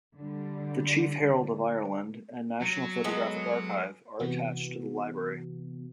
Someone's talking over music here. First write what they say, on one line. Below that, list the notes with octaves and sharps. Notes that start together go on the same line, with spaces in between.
The Chief Herald of Ireland and National Photographic Archive are attached to the library.
D3 G3
F#3
G#3 B3 A4
C3 E3 B3 F#4